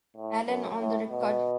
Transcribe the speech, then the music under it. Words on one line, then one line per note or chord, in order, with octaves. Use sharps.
Allin on the record.
A2
F#2
A2
B2